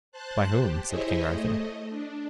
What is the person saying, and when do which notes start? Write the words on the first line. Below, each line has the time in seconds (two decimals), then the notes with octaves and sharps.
By whom? said King Arthur.
0.12 C5 A5 F#6
0.56 G4
0.87 E4 G#4 C5 C#5 D#5 E5
1.28 A3 D#5
1.89 D4